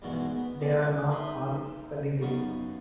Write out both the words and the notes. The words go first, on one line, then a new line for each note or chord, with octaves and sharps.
They are not all equally deep.
E2 G2 B2 D#3 G#3 F#4
B3
D#3 G#3 D5 D#6
D2 D6
D#4 B4 E5 G5 C6
F#2 B3 D#4 F5 C#6